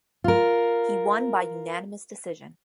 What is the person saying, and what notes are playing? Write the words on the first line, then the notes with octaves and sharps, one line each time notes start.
He won by unanimous decision.
F4 A#4